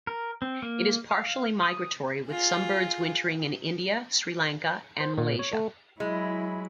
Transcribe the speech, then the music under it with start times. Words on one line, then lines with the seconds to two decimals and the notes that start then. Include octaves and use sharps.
It is partially migratory, with some birds wintering in India, Sri Lanka and Malaysia.
0.07 A#4
0.42 C4
0.62 A#3
1.11 F5
1.63 D#6
2.29 F4 G#4
5.01 C5
5.18 A#2
5.39 C#5
5.53 A3
6.00 F#3 G#3 E4